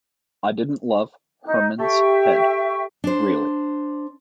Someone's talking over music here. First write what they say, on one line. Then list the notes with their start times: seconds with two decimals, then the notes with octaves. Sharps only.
I didn't love "Herman's Head", really.
1.46 D#4
1.78 G4 A4 E5 G5 A5 C#6
3.04 D4 C5